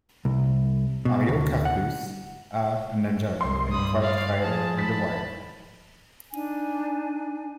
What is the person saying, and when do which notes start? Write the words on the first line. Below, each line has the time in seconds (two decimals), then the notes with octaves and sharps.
"Ariocarpus" are endangered and quite rare in the wild.
0.25 C2
1.05 B2
1.29 D2
1.65 F#5
3.41 C2 C6
3.72 G2 G3 B5 D#6
4.01 D5 F5
4.40 F3 G#4 A5
4.78 A5 B5 A6 B6
6.32 D4 D#4 G#5